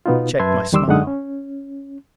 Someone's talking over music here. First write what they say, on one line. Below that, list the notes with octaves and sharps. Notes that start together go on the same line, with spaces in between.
I checked my smile.
B2 B3 D#4 F4
F#2 B4 E5 A5 C6 G#6
E2 D#3 G3 C6 D6 E6
F#2 D3 G#3 D#4 F#5 D#6
C#4